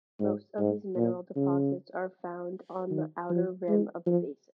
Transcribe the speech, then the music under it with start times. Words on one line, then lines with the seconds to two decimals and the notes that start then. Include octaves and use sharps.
Most of these mineral deposits are found on the outer rim of the basin.
0.20 G#2
0.59 G#2
0.97 A#2
1.36 C#3
2.91 D#3
3.30 F3
3.68 G#3
4.07 F3